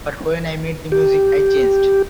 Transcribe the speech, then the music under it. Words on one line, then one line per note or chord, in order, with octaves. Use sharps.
But when I met the music, I changed.
G4